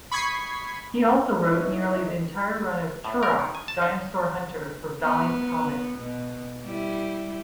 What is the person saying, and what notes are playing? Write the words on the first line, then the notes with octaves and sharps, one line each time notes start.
He also wrote nearly the entire run of "Turok: Dinosaur Hunter" for Valiant Comics.
B5 C#6 D#6 G#6 B6 C7
D#4 E4 A4 C#5 D#5
A2
A#4
D#3
G#5
A5
D#4
B3
B2
G3 E4